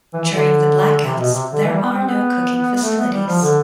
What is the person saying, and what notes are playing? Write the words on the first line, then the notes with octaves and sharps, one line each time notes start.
During the blackouts there are no cooking facilities.
E3
E3
D3
C3
B2
C3
D3
E3
G3
B3
C4
B3
A3
B3
G3
F3
D3